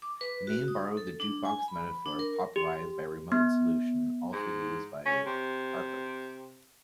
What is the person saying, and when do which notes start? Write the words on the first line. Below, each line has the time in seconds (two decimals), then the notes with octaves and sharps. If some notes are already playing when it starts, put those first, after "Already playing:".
The name borrowed the jukebox metaphor popularised by "Remote Solution", also used by "Archos".
0.02 D6
0.21 B4
0.47 F#4
0.68 D#6
0.97 A4
1.20 D4
1.45 G#5
1.68 B5
2.06 D4
2.19 A#4
2.56 G4
3.32 B3
4.33 G#2
5.06 C#4
5.26 C3